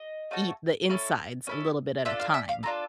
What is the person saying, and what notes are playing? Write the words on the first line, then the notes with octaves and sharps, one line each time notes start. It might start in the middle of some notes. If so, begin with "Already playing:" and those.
eat the insides a little bit at a time
Already playing: D#5
A3 C#4 F#4 A4
C#4 E4 A4
C#4 E4 A4
D4 F4 A4 E5
F5
E5
F5
D4 F4 A4 A#5